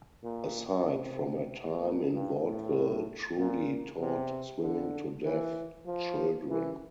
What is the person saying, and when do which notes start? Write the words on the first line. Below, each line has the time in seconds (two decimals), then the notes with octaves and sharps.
Aside from her time in Vaudeville, Trudy taught swimming to deaf children.
0.23 A#2
0.86 C3
1.80 A#2
2.12 G2
2.43 A2
3.36 A#2
3.99 C3
4.62 D3
5.24 E3
5.86 F3
6.49 E3